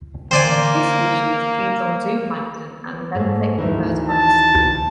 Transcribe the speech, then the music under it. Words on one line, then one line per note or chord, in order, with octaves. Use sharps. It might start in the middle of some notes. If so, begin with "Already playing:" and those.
This species feeds on zooplankton and benthic invertebrates.
D3 E3 A#3 C5 D5 G5 G#5
G#2 A3
D2 D#3 E3
A5